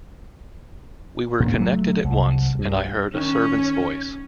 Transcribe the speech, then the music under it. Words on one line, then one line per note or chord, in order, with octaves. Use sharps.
We were connected at once, and I heard a servant’s voice.
A#2
F#3 A3
C2
G2
D#3 C#4